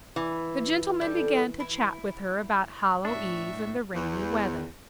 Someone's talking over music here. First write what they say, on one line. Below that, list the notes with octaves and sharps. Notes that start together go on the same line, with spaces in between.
The gentleman began to chat with her about Hallow Eve and the rainy weather.
E3
G3 A4
E4
A2 D4 E5 C#6
E2